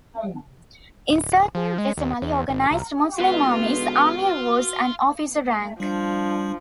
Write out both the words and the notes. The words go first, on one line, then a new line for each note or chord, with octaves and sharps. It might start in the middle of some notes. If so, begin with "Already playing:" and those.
In certain decimally-organized Muslim armies, Amir was an officer rank.
D1
F3
G#3
D#2
E2
G#1
C2
D3 G#3 B3 F4 F#4 B4
F3 G3 D4